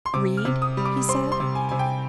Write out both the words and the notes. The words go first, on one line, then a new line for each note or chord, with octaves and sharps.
"Read?" he said.
C6
C3 D6
F6
C3
D#6
G3
D6
C4 C6
C6
C3
G#5
C3 G#5
G5